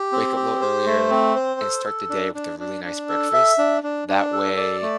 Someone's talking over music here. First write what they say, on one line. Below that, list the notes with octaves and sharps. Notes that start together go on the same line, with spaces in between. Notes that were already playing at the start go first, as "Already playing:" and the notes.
wake up a little earlier and start the day with a really nice breakfast. That way
Already playing: G4
C4
G4
C5
A3
C4
C5
A4
A4
D4
D4
D4
D4
A4
E5
D4
D4
D4
A4
D5
A3